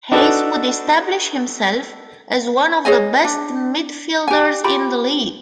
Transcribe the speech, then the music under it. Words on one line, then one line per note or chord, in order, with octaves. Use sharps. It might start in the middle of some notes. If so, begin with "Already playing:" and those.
Hayes would establish himself as one of the best midfielders in the league.
D4 D#4 F#4 A4 B4
G#4 C#5 D#5 G#5
D4
G4 G#5
F4 G4 B5